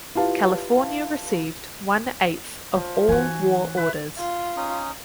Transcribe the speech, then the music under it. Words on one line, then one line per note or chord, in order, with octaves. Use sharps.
California received one eighth of all war orders.
E4 F4 G4 B4 F5 A5
D3 F3
E3 D#4 F#4 G#5
B4 E5
F4
C#4 D#4 D#6